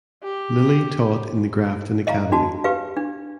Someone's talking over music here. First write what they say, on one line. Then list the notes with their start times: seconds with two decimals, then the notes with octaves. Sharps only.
Lillie taught in The Grafton Academy.
0.24 G4
2.07 D#5 F5 A#5
2.32 D4 F#4 A5
2.64 G4 B4 F5
2.97 D4